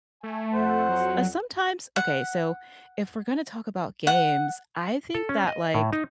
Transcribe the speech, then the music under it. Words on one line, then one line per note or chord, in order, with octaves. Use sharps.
s uh, sometimes Okay, so if we're gonna talk about games, I think that, like,
A3 G#5
F2 C5 F#5
F#3
F#5
F#5
A4
C#4
D#5
A2
D#4